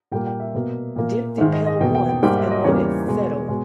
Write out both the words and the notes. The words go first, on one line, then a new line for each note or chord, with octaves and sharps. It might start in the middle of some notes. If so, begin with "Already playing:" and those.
Dip the pail once and let it settle.
A#2 G3 A#3 G5
G5
E5
B2 A#3
A#2 A#3
G#2 D#3 G#3 E5
D#5
D#5
E2 B2 A#3 G5
G5
G5
G#2 G3 A#3 G5
E5
D#5
E2 C#3 E3 G3 A#3 C#5
B2 G#3
B2 G#3